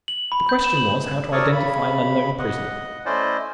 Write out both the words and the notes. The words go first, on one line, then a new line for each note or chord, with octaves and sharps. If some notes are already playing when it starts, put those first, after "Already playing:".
The question was how to identify an unknown prisoner.
F#7
B5
G6
E7
F#7
A4 A#4 C#5 D5 C#6 D#6
C#3 B5
D#5 F#5
A3 C#4 E4 C5 D5 D#5